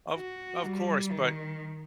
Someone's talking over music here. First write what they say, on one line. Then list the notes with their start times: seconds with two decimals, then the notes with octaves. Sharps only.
Of of course but
0.16 F#4
0.64 G3
1.12 D#3